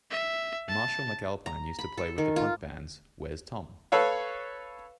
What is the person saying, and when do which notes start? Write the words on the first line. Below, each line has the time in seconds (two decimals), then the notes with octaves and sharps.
Marshall McAlpine used to play with the punk bands Where's Tom?
0.11 E5
0.69 A5
1.46 A#5
1.79 B5
1.97 A4
2.18 D#3
2.36 F4
3.92 A4 B4 C#5 F5